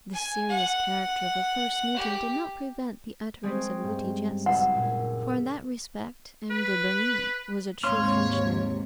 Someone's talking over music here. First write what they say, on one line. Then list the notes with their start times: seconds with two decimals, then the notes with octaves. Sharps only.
The serious character of a first meeting did not prevent the utterance of witty jests, for in that respect M. de Bernis was a true Frenchman.
0.13 G#5
0.49 F#5
1.96 G4
3.43 G#3 C4 C#4
3.84 G2
4.46 F#1 F#5 E6
4.75 A#2
6.50 B4
7.84 D#2 G#2 C3 C#5 F5 C6 F6